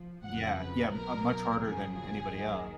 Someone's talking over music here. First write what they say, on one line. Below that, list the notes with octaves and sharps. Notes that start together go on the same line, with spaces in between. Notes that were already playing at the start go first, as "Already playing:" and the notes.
Yeah. Yeah, uh, much harder than anybody else.
Already playing: F3
F2 C#3 F#3 F#5
B4
B1 B2 F#3 A#4
G#1 F#2 C#3 F3 G#4
G#4
D#2 D#3 F#3